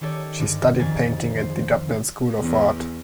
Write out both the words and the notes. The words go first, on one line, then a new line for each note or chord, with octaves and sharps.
She studied painting at the Dublin School of Art.
D#3 C#4 G4 A4 C#5 D5
G2 D3 G3 G#3
F2 D#3 G#5 A#5 A6
C5
E2